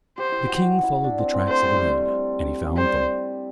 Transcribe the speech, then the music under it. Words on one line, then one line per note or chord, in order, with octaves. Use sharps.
The king followed the tracks of the men, and he found them.
G4 C5
E4
F#4
F#4
E4
D4
C4
C4
A3 C5
G3
G3
G3 C5